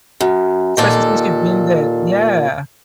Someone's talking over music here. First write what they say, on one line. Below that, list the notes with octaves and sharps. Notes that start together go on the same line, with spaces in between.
especially since you've been the yeah.
F#2
D#2 A#2 A4